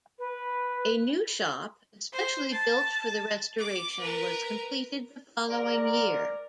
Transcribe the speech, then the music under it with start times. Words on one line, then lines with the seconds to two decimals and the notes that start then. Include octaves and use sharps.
A new shop, especially built for the restoration, was completed the following year.
0.19 B4
2.13 C5
2.52 A5
3.58 D6
4.00 A#4 B4
5.49 G#2 A#4 D5